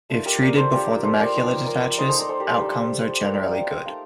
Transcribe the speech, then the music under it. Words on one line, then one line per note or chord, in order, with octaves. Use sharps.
If treated before the macula detaches outcomes are generally good.
A3 D4 F4
G4 A#4
A#4 D5
A4 C5
A#3 D4 F4 G4 A#4
A4 C5
A#4 D5
F3 A#3 D#4
A#4 D5
A#3 D#4 C5 D#5
A4 C5
A#4 D5
A4 C5
G4 A#4
A4 C5
G3 D4 F4
A#3 F4 A#4 D5
A#4 D5
D5 F5
D#5 G5
G5 A#5
A3 D#4 F5 A5